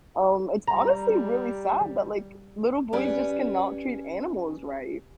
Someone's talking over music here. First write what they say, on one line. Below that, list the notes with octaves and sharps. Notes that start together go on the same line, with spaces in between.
Um, it's honestly really sad that, like, little boys just cannot treat animals right.
G3 A#5
C#4 G4 B4 D5